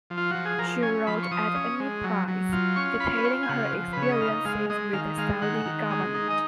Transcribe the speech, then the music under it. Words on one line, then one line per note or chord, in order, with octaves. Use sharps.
She wrote "At Any Price", detailing her experiences with the Saudi government.
F3
F4
F3 F#4
G#4
F3 A#4
C#4 G#5
F3 B5
C#6
F3 D#6
C#4
G#3
F#3
F#3
F4
C#4 C#6
F4 B5
B4
F4 C#5
G#5
C#3 F#5
F3
C#3 B4
C#5
D#5
D#4 F5
G#3 F5
G#3 D#5
D#3 F5
G#3 F5
D#3 F#5
D#3
G#3
D#4
D#5